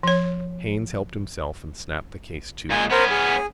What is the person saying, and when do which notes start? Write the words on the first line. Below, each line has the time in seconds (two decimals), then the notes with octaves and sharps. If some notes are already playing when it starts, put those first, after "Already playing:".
Haines helped himself and snapped the case to.
0.03 F3 C#5
2.71 A#2 G#3 G#5
2.91 B3 C#4 A#4 C5
3.11 G#4